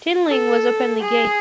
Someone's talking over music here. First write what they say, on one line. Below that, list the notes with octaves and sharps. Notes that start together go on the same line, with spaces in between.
Tinling was openly gay.
A4
G#4